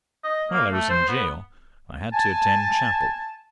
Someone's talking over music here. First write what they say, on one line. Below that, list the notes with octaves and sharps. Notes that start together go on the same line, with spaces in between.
While I was in gaol I had to attend chapel.
D#5
A#3
A3
C5
B3
G#5 A5